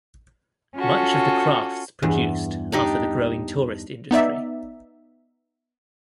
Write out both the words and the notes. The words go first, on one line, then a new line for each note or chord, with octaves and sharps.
Much of the crafts produced are for the growing tourist industry.
C#4 F4 F#4 A4
E2 G2
D4 D#4 G4
B3 D#4 D5 E5